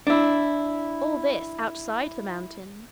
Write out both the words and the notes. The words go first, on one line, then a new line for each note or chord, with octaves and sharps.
All this outside the mountain!
D4 E4